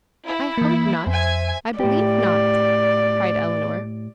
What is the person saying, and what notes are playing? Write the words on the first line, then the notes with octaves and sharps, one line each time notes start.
"I hope not, I believe not," cried Elinor.
E4
E3 A#3
F2 C5 E5 G#5
A2 G4 D5